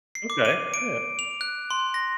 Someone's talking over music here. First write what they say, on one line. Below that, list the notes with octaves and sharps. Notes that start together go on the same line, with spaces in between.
Okay. Yeah.
C7
D6
D#7
D7
F7
F#6
C6
A#6